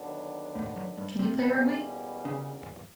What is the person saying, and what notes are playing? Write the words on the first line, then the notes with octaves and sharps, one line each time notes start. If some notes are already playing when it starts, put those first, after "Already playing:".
Can you play Rugby?
Already playing: D#2 D3 F#3 B3 D4
A2
F#2
G2
C3
E2 B2 G3 A#3 C#4
C#3